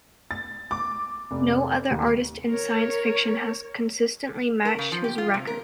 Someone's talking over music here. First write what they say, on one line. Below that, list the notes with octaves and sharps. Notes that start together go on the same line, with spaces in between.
No other artist in science fiction has consistently matched his record.
A6
D6
F1
D#2
A#4 C#5
A#4
C#3
F3
G4
F4
C3
A#4